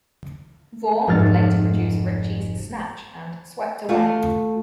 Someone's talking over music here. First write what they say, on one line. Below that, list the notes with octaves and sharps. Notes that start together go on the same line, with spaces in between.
Vaughn would later produce Ritchie's "Snatch" and "Swept Away".
F1 G#2 F#4 F6 A6
A3 F4 F#4